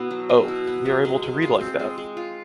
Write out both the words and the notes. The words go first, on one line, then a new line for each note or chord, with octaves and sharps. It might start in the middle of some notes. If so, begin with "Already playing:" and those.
Oh! We are able to read like that!
Already playing: B2 B3 E4
F#3
B2
E4
B3
F#3
G#3
G#3
F4
C4
G#3
G#3
F4